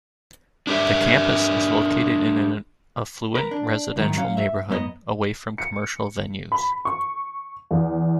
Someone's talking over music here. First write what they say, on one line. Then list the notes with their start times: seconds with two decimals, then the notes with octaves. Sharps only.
The campus is located in an affluent residential neighborhood away from commercial venues.
0.67 D4 G4 A#4 E5
3.35 A#4 B4
3.51 D4
3.96 C2 G#2 D#3 F#3
4.17 F#3 C#4 F5
4.37 E5
4.70 F#2 B3 C5 D#5
5.58 C#7
6.52 B5
6.85 C#6
7.71 E2